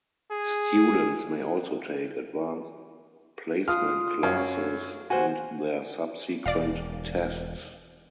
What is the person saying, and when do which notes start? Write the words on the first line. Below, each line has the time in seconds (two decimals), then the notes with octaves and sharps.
Students may also take Advanced Placement classes and their subsequent tests.
0.31 G#4
3.68 F4 F5 D#6 F6
4.23 F#2 C#5 F5
5.10 F#4 C5 G#5
6.46 E1 D5 F5